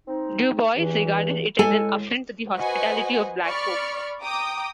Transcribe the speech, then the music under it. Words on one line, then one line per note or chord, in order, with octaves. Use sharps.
Du Bois, regarded it as an "affront to the hospitality of black folks".
C4 D#4
E2 G2 E3
A2 G#3 A4 G#5
F#4 B4 C5 D#5 F#5 G#5
D5 B5 C#6 F6
G5 A#5 D6 D#6